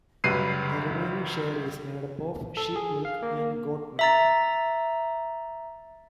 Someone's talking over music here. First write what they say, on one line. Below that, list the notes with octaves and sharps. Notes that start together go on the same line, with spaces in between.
The remaining share is made up of sheep milk and goat milk.
C#2 F#2 G3 B4 C7 D#7
A4
G#4
F5
A#3
E5 A#5 A6